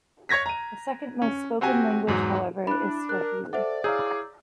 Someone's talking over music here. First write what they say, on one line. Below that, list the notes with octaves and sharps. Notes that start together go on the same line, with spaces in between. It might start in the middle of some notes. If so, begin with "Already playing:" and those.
The second most-spoken language however is Swahili.
C#5 C#6 G#6 A#6 B6
A#5 D#7
C#4
C4 F#4 G4 G#5
E2 G#2 F#3
D4 E4 B5 F#6
A#4 F#6
A4 C5 D5 E5 F#5
E4 G#4 C#5 F5 A#5 E6 G6